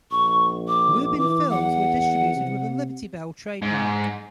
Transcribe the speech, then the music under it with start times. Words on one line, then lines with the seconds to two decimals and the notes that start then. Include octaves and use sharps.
Lubin films were distributed with a Liberty Bell trademark.
0.11 A#1 C#6
0.68 D6
1.19 E3 D6
1.50 E2 F#5
2.36 C3
3.62 G#2